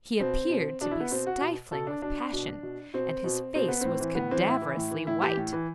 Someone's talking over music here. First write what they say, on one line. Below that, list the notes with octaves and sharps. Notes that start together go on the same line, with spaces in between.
He appeared to be stifling with passion, and his face was cadaverously white.
B2 C4
B2
B2 D4
E4
B3
B2 C4
F#4
B2
B2 A4
D4
B2 D4
B2
B2
B2 C4
B2
B2 C4
B3
A2 C4
E3
A2 B3
E3 C4
A2 E4
E3
A2
E3
A2 E4
E3 G4
A2
E3